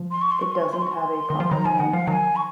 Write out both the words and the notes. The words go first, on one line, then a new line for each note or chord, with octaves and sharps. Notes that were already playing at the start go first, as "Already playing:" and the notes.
It doesn't have a proper name.
Already playing: F3
C6
C#6
C6
C#6
C6
C#6
C6
C#6
C6
D#3
F3
D#3 F#3 A#5
F3 G#5
D#3 F#5
F3 F5
D#3 F#3 G#5 A#5
C#6